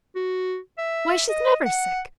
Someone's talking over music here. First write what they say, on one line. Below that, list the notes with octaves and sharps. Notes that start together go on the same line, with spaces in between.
Why, she's never sick!
F#4
E5
D#5
F#5